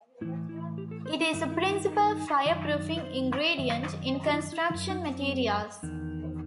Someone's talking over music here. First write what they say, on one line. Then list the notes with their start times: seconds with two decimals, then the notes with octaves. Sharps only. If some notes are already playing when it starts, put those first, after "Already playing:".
It is a principal fireproofing ingredient in construction materials.
0.21 A2 E3 E4
0.49 E4
0.78 G4
0.91 A4
1.06 C5
1.20 D#4
1.33 G2 D#3 E4
1.52 E4
1.72 E4
1.90 D#4
2.46 F#2 D#3
2.97 B4
3.03 C5
3.58 F#2 D#3 E5
3.70 D#5
3.81 C5
3.93 D#5
4.08 C5
4.14 D#5
4.27 F#4
4.33 E4
4.52 E4
4.70 E3 E4
4.74 F#2
4.90 D#4
5.08 C4
5.83 E2 D#3